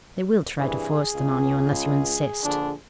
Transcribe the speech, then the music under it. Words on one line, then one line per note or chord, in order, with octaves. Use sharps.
They will try to force them on you unless you insist.
C2 G2 E3 G#4
C#2
A#1 D3 D4